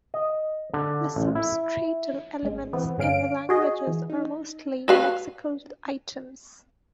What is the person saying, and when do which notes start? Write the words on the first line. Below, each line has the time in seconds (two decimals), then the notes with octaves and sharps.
The substratal elements in the languages are mostly lexical items.
0.14 D#5
0.74 D3
1.16 A1
1.35 E4
2.43 G#1 G#3
2.73 E3 B3 C4
2.98 G2 D3 C#4 F5 D7
3.49 F#4 G#4 D#5
3.87 E3
4.10 D#4
4.88 F#4 B4 F5